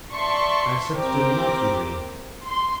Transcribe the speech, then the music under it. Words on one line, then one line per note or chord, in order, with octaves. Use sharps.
I had such a delightful dream.
D5 E5 A5 C6 C#6
C4 G4 A#4 D6
C6